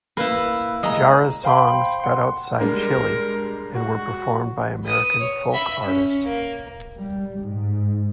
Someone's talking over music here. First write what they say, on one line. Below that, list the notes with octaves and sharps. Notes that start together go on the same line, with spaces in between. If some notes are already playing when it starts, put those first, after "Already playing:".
Jara's songs spread outside Chile and were performed by American folk artists.
A#3 E4 B4
G#3 D#5 A#5
C5 F5 G5 B5 C6
F#5 C6
G3 G#3 D4 A#4
F#4
B4 D#6
C#5
E5 B5
C#4
A#3
G3
G#2